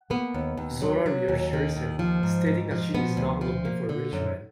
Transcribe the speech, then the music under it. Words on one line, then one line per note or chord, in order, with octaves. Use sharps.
Zora reassures him, stating that she is not looking for a rich man.
A#3 B3
D#2
D#2
F#3
F#3
D#2
D#3
D#2
F3
G#2
G#2
F3
F3 B3
D2
F3
A#3
D3
F#2